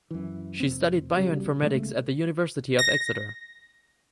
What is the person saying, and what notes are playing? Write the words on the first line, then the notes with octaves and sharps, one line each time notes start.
She studied Bioinformatics at the University of Exeter.
F#2 E3
F1 C4
B1 C#3 F#3 G3
B1 C#3 G#3 A3
A#6